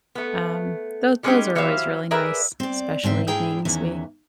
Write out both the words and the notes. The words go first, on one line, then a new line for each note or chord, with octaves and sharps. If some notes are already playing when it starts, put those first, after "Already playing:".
um, tho those are always really nice, special evenings. We
A3 B3
G3 G#3 B3 C#4 D#4 G4
E3 F#3 G4 C5 E5 F5
G#4 A#4 B4 D5 E5
C4 D5
G#2 D3 C4 E5
G#2 D4 E4 G#4 G5 A#5
E2 D#3 E3 C#4 E5